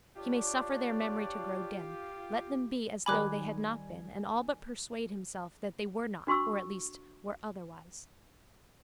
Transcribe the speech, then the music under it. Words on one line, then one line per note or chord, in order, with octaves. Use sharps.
He may suffer their memory to grow dim, let them be as though they had not been and all but persuade himself that they were not or at least were otherwise.
D4 F4 G4 C#5 D5
D#3 G3 G#5 B5 D6 F#6
D4 F#4 C6 C#6 E6